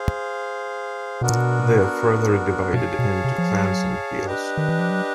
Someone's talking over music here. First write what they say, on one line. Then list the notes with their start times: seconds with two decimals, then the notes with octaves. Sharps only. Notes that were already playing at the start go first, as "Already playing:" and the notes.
They are further divided into clans or khels.
Already playing: G#4 C5 F5
1.21 B2 B3 D4 F#4 A#4
1.29 A#2
1.37 B2
2.73 B2 G#4 C#5 F5 A5
2.99 B2
3.24 C3
3.38 F3
3.49 F#3
4.26 D4 G4 B4 D#5
4.57 D#3
4.69 E3
4.80 F3
4.90 F#3